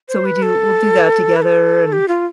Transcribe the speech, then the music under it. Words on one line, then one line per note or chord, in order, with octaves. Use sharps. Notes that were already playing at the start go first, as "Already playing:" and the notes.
so we do we'll do that together, and
C5
B4
A4
B4
A4
G4
F4